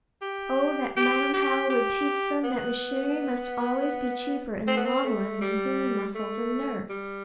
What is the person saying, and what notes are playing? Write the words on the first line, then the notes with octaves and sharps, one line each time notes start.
Oh that Madam How would teach them that machinery must always be cheaper in the long run than human muscles and nerves!
G4
G4
G4
G4
B3
C4
B3
C4
A3
G3
A3
G3